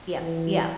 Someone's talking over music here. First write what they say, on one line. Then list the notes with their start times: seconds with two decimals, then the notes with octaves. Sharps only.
Yep, yep.
0.20 E3